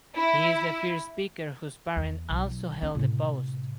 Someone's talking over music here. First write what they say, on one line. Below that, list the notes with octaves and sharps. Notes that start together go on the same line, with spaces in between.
He is the first speaker whose parent also held the post.
E4
E2
B1
C#4
A2 C3